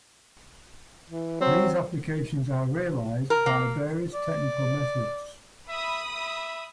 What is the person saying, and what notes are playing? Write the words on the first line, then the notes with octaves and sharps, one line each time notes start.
These applications are realized by various technical methods.
E3
F#3 C4
A#4
A#3
D5
E5 B5 D#6
E5